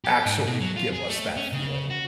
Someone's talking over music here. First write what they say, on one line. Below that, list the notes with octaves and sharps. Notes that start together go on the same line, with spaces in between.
actually give us that feeling.
G4
G#2
B2
F#3
F4
G#4
A3
C#4
C#3
F#4